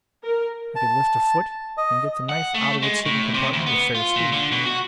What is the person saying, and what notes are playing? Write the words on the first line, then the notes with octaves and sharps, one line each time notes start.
I could lift a foot and get the knife out of its hidden compartment with fair speed.
A#4
A5
D#5
F#5
A3
G#3
A2
C3
D2
B3
F4
A#2
D3
B2
F#4